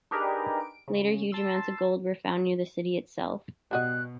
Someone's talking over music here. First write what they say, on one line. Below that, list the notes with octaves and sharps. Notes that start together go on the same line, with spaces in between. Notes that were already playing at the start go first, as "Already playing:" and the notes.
Later huge amounts of gold were found near the city itself.
D4 D#4 G4 G#4 A#4 B4
D7
C#3
A5 C6 E6
B2 G3 F#4 D#5 F#6